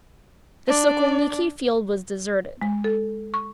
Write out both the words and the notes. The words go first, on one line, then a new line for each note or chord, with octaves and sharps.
The Sokolniki field was deserted.
D4 D5
G#3
A4
C#6